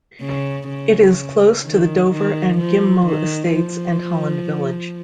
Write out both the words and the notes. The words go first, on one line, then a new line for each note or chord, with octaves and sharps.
It is close to the Dover and Ghim Moh estates, and Holland Village.
C#3
C#3
D#3
D#3
F3
D#3
F3